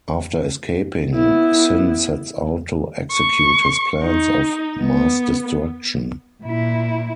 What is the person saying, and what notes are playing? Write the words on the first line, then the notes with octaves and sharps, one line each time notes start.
After escaping, Sin sets out to execute his plans of mass destruction.
B3 E4
C#6
D#4
B3
A#2 E4